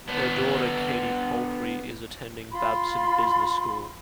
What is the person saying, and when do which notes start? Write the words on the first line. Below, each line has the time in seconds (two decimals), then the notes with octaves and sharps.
Her daughter Katy Palfrey is attending Babson Business School.
0.09 B3 D4
2.51 F4 B5 C6